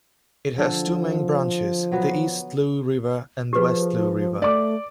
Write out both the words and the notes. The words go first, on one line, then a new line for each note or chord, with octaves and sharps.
It has two main branches, the East Looe River and the West Looe River.
D3 F3 A4
F#3 B3 F#4
F3 G4 G#4 B4
A3 D5 D6